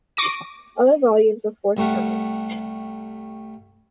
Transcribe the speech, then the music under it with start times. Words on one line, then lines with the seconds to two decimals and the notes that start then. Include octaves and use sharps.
Other volumes are forthcoming.
0.17 C#6 D6 A#6 D#7
1.77 C2 G3 A3 F5 F#5